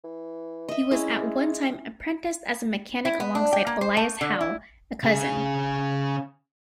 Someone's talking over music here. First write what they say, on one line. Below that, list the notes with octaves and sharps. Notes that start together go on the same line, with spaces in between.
He was at one time apprenticed as a mechanic alongside Elias Howe, a cousin.
E3
D#5 E5
G#3 C#4 E4
E4
B3
D4
G5
A#3
C5
A3
D3
E4
C#3 G#4